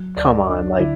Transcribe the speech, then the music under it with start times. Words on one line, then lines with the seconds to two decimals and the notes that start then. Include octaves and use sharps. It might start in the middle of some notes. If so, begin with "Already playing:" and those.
come on, like
Already playing: F#3
0.17 D2 D5
0.48 D2 D4
0.79 D3 E4